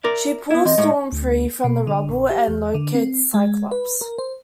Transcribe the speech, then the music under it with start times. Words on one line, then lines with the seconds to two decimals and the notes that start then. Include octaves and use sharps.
She pulls Storm free from the rubble, and locates Cyclops.
0.04 A#4 D5 E5
0.50 B3 E4
0.65 E3 C4 D#5
0.78 A2 G#3
1.12 D2
1.64 B2
1.87 D3
2.09 A#1
2.30 G4
2.48 E2
2.74 D3
2.94 C4
3.34 G#3
3.71 B4
4.01 A#4
4.18 C5